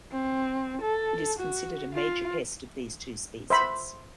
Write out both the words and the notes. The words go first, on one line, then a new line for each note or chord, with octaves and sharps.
It is considered a major pest of these two species.
C4
A4
F#4
F4
C5 E5 B5